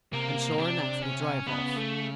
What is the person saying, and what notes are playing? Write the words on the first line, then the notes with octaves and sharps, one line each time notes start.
And sure enough, he drove off.
C3 A#3
B2
C3 D4
C#4
C#3 B3
A3